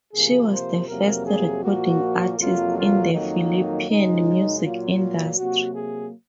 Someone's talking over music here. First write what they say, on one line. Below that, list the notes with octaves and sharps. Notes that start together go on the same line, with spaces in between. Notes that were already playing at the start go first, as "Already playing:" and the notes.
She was the first recording artist in the Philippine music industry.
C3 F3 A#3 G#4
C5
F2 C3 F#3 A#3 A#4
G#4
A#2 F3 A#3 F#4
F2 C3 F#3 A#3 F4
F4
F2 D#3 F#3 A#3 D#4
F#2 C#3 G#3 D#4
A#2 F#3 A#3 F4
C3 F#3 A#3 F#4
G#4